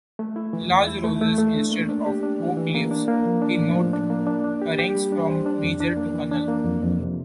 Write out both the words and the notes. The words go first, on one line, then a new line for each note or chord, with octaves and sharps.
Large roses, instead of oak leaves, denote ranks from major to colonel.
A3
E4
E3
E2
E4
A3
A3
A3
D4
A#3
D4
G4
D4
E3
E3
A#3
D4
A#3
F3
D4
A2
F3
D4
A#3
D4
D4
G4
G4
G3
D4
C5
D4
F2
D4
A#3
E3
D4
A#3
F2
F2
C3